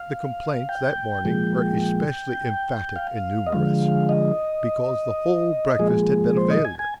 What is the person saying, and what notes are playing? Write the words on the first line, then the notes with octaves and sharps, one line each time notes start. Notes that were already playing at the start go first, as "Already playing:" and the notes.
The complaints that morning were especially emphatic and numerous, because the whole breakfast had been a failure.
Already playing: F5
G5
A#2 F3 G#3
F5
D#5
D3 F3 G#3 F5
D#5
A#2 F3 G#3 G#4
C5
D#5
G#5
G#5